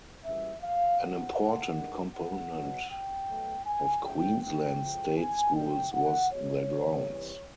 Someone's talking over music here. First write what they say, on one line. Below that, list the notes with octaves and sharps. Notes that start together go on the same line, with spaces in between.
An important component of Queensland state schools was their grounds.
F#2 C#3 E3 G3 E5
F5
F#2 C#3 F3 F#5
G2 D#3 G#3
F#5
E2 B2 F#3
G5
B2 F#3 A3
G#5
E2 C#3 F3 A3 G5
G5
A2 F3 G#3
G#5
A#2 F#3 A3 G5
F#5
B2 G#3 C#5
C3 E3 G3